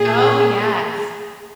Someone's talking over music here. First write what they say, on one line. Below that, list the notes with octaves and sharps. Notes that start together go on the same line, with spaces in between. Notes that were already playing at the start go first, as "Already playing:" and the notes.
Oh, yes.
Already playing: A#2 A#3 G#4